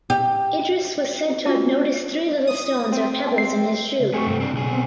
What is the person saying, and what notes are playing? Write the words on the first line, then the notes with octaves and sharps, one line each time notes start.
Idris was said to have noticed three little stones or pebbles in his shoe.
G4
C#4 F4 F#4
D#6
C4
C7
C#3
A3 C4 G#5 C#6
G2 C3
C4 D4
B1 C#3 G#4
B3 C4